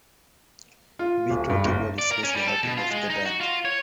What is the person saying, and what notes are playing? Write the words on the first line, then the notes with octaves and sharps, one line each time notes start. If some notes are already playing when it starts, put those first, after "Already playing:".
Mid-tour, keyboardist Leslie Hardy left the band.
F4
D1
G2
F#1
D5
A#4
C#4
G3
A4
B2
F4
G#3
D#4
F#4
F4
C#5